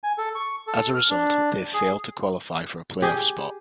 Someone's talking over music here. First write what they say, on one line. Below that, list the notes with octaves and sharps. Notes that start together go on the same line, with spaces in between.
As a result, they failed to qualify for a playoff spot.
G#5
A4
C#6
A4
F6
D4
G#4
G4 G#4